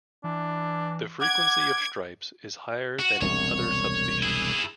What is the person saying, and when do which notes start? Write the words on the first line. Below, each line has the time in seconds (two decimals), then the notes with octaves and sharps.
The frequency of stripes is higher than in other subspecies.
0.24 E3 D4
1.21 F#5 D6 G#6
3.00 F#4
3.22 E1 C2 C#5
4.23 E4 G#4